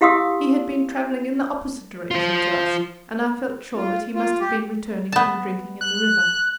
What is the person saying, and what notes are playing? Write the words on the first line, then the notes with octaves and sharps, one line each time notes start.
He had been travelling in the opposite direction to us, and I felt sure that he must have been returning from drinking in the river.
E4 G4 F5 C6 D#6 E6
F4 C5
F4
F4
G4
B3 A5
F#6